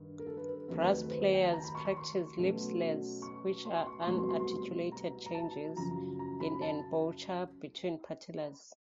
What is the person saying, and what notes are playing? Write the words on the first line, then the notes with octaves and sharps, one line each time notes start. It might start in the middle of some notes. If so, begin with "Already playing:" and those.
Brass players practice "lip slurs", which are unarticulated changes in embouchure between partials.
Already playing: G2 D#3
A#4
A4
B4
B4
D#2 D#3 F#3 A3 C4 B4
B4
C5
D#5
G5
A5
A#5
B5
C#6
C#6
C6
B2 F#3 A3 C#4
C#6
C6
C6
C#6
C6
C2 B2 F#3 A3 C4 C#6
C6
C6
C6
A#5
A#5
A5
F#2 C#3 F3 A#5
A#5
B5
A5